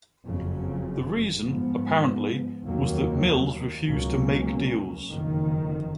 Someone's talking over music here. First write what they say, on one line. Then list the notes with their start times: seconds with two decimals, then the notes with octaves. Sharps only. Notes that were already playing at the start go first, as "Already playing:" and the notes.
The reason, apparently, was that Mills refused to make deals.
0.24 F#1 F2 C#3 F#3
1.45 G#2 F3 B3
2.65 F1 D#2 D#3 F#3 A#3
3.86 C#2 B2 F#3 A#3 C#4
5.07 F#1 F2 D#3